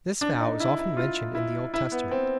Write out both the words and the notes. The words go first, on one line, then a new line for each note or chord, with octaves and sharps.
This vow is often mentioned in the Old Testament.
D4
D#4
E4
E4
F4
E4
E4
B3
C4